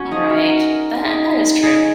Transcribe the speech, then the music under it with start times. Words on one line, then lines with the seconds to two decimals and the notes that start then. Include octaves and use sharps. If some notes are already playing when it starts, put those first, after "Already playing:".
Right. That that is true.
Already playing: C#4 F#4
0.11 D#4 G#4
0.30 F#4 A#4
0.49 F#4 A#4
1.06 D#4 G#4
1.63 D#4 G#4